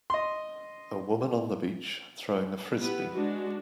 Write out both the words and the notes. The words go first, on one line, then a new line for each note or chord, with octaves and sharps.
A woman on the beach throwing a frisbee.
D#5 C6
B3 E4 G4 B4
G#3 D4 F#4